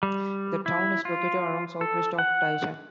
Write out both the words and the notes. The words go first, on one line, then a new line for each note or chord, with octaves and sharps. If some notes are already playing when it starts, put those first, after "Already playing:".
The town is located around southwest of Taishan.
G3
E4
F4
A4
F#5